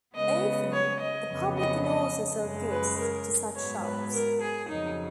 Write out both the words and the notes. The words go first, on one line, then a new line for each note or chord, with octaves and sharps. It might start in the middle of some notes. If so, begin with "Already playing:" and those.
Often the public can also sell goods to such shops.
C#3 G#3 B3 D#5
C#5
D#5
F2 C#3 F#3 B3
D#5
D#5
F#2 C#3 G#3
B4
A#4
G#2 F#3 B3 C#5
B4
A#4
G#4
F2 C#3 F#3 D#4